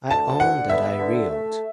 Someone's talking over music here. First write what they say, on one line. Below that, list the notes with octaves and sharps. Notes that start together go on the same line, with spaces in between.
I own that I reeled.
D2 A5
D3 F#5
B3 E5
D3
A3